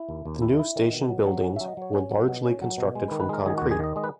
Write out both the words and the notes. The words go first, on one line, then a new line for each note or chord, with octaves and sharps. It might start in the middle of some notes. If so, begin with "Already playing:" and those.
The new station buildings were largely constructed from concrete.
Already playing: E4
D#2
D#2
E4 E5
E4
D#3
B2
F#3
F#3
C#4 F#5
E5
F#3
D#5
F#3 C#5
C#4
F#3
B2
C#4
F#3
B2
G#3
B4
D#3
B4
G#3 A#4
D#3 G#4
F#4
D#2
G#4
D#3 D#5
G#3 D#5
B4